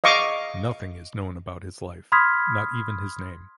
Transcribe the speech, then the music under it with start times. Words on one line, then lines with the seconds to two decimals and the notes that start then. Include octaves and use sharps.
Nothing is known about his life, not even his name.
0.04 D#5 F5 C#6 D6
2.12 B5 C6 D#6 F6 G#6 B6